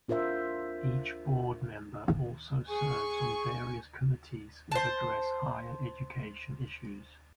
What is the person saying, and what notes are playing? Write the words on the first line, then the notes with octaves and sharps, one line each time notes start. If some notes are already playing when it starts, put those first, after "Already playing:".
Each Board Member also serves on various committees that address higher education issues.
D4 F4 A#4 C5 E5
G#4 G#5 C#6
C5 A5